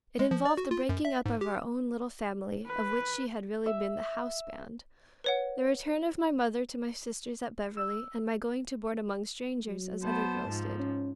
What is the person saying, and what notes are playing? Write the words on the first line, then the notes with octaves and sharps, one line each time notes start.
It involved the breaking up of our own little family, of which she had really been the "houseband," the return of my mother to my sisters at Beverly, and my going to board among strangers, as other girls did.
G#3
F3
D5
F#4
F4
F#2
E5
G#2
G4
B4
E5
B4 C#5 F#5
E6
F#3
B3 C5 A5
G#2 F3
C#4